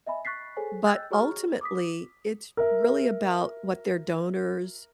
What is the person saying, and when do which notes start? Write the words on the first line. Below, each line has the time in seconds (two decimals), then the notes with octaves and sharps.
but ultimately it's really about what their donors
0.07 D#5 E5 G#5 B5
0.25 C#6 F#6 A6 B6 C7
0.57 G#4 A4 C5 C#5 G#5
0.85 D#5 G5 E6 F#6 G6 A6
1.11 F#4 G#4 C#5 A#5 C#6 F6
1.61 D6 D#6 B6
2.57 A#4 E5